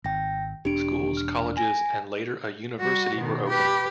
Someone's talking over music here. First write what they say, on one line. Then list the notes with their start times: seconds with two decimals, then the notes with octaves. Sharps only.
Schools, colleges and later a university were opened.
0.04 G#1 G5 A#6
0.65 E1 D4 G4 D7
1.17 F6
1.57 G#5 A#6
2.79 G3 F#4
3.17 B2 D#3
3.47 G4 B4